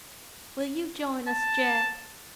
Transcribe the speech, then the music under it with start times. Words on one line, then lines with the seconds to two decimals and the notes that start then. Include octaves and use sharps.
"Will you join us, Jack?"
1.29 A5